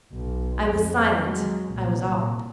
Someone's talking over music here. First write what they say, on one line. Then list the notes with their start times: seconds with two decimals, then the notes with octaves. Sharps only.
I was silent; I was awed.
0.12 B1
0.71 F2
1.22 F#3 G#3
1.72 C2 A#2
2.19 A#2